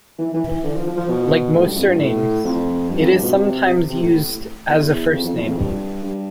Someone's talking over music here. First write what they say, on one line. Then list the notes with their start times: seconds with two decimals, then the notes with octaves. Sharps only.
Like most surnames, it is sometimes used as a first name.
0.19 E3
0.34 E3
0.49 E3
0.64 D3
0.75 F3
0.87 F3
0.97 F3
1.08 B2
1.53 A2
1.65 G2
1.76 F2
1.87 G2
1.98 A2
2.44 F2
2.89 G2
3.00 F2
3.11 G2
3.22 B2
3.34 C3
3.90 C3
4.01 A2
4.13 A2
4.68 E2
5.13 F2
5.25 F2
5.36 E2
5.47 F2
5.59 G2
6.03 G2